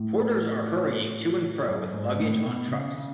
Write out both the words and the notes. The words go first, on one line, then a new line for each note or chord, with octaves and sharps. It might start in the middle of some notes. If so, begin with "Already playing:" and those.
Porters are hurrying to and fro with luggage on trucks.
Already playing: A2
F#2
G#2
A2
B2
C#3
C#3